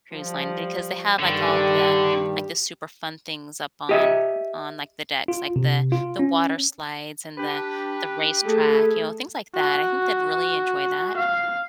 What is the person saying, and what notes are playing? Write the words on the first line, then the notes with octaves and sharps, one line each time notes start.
cruise line because they have, like, all of the like, the super fun things up on on, like, the decks, like the the water slides and the the racetrack, you know, things like that. I think they'd really enjoy that,
F3 G3
G2 D3 D#3 G3 G4
G4 D#5 E5
F4
C3
F4
C#4
D4 G4 B4
A3 G#4 A4
F#4
F5